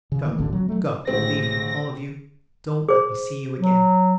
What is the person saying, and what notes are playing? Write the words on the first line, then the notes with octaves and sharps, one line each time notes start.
Go, go, leave me all of you, don't let me see you again!
C#3
D3 E3 A3 A#3
D#1 A1 D3 C4
F#3
F#3 A3
A1 A2 D3 G#3 C4 A#6
G#4 C5
F#3